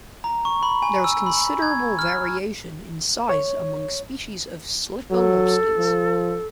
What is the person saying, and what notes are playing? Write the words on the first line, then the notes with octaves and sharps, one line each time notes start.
There is considerable variation in size among species of slipper lobsters.
A#5
C#6
B5
G#5
E6
B5
G#6
F6
C#5
F#3 A4
F3